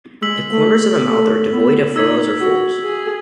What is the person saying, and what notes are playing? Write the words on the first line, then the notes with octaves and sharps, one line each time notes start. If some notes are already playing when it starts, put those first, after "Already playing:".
The corners of the mouth are devoid of furrows or folds.
G#3 E6 B6 F#7
A3
A3
B3
D#4 E6 G#6 B6 F#7
F#4
G#4